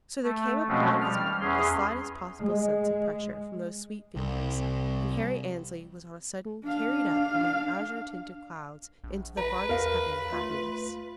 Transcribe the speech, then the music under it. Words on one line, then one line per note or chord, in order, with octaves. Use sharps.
So there came upon his arm the slightest possible sense of pressure from those sweet fingers, and Harry Annesley was on a sudden carried up among azure-tinted clouds into the farthest heaven of happiness.
A3
B2 F3 G#3 A3 C4 C#4
G3 F6
E2 C#4 G#4 C6
G#3
C2
D4 F5
A#1
B4 A#5
E2 A#4 F5
A3 F4